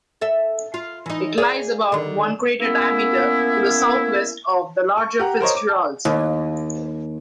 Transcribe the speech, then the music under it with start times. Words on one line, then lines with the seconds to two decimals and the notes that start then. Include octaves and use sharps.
It lies about one crater diameter to the southwest of the larger Fitzgerald.
0.21 A4 E5
0.74 F4
1.06 E3 D#4
1.38 G#4 D5 F5
1.92 D3 D#3
2.60 A#3 B3 C#4 E4
4.97 C#6
5.19 G4 F#5 A#5
5.40 A#4 C5 C#5 D#5
5.55 D6
5.69 A5
6.05 D#2